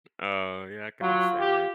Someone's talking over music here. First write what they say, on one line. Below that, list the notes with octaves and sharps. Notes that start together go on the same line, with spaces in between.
Oh, yeah, I can understand that.
F#3 F4
G4